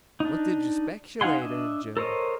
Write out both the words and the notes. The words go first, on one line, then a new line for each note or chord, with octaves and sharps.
"What did you speculate in, Jim?"
D4 D#4
D#4 F5 F#5 G#5 C6
D4 D#5 E5
A4 A#4 C5 C#5 D#5